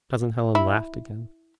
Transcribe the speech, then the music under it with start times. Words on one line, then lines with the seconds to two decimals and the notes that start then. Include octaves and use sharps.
Cousin Helen laughed again.
0.55 E4